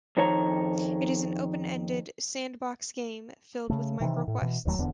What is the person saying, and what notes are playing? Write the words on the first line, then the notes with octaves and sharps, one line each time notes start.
It is an open-ended, sandbox game, filled with "microquests".
F2 D#3 C#5 A#5
C#3 A3
C3 D#3 E3
A2
B2 E3
D#1 D#2 F#3 A3
D#1 E2 D3 B3